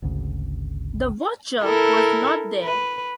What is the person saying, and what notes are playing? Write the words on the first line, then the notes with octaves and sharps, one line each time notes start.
The watcher was not there.
G#1 D2 C#3
E4 A4 A#4
B4